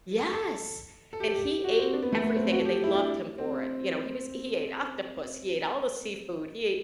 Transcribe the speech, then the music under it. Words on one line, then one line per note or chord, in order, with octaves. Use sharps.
Yes, and he ate everything, and they loved him for it, you know, he was he ate octopus, he ate all the seafood, he ate
A4
A4
A4
G4
G4
F#4
C4
D4
B3
A3
B3
C4
F#4
A4
G4
E4
D4
C4